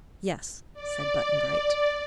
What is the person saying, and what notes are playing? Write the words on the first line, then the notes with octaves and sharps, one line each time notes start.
"Yes," said Button-Bright.
D5